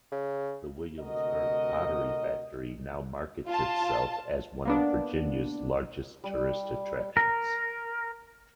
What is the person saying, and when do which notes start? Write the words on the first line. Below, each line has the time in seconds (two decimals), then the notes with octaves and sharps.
The Williamsburg Pottery Factory now markets itself as one of Virginia's largest tourist attractions.
0.12 C#3
0.99 D2 C3 F#4 A#4 D#5
3.47 F4 A5
4.65 A#3 B3 D4
6.24 G3
7.17 A#4